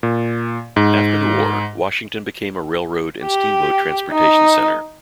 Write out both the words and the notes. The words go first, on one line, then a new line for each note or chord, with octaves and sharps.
After the war, Washington became a railroad and steamboat transportation center.
A#2
G#2
G4
D#4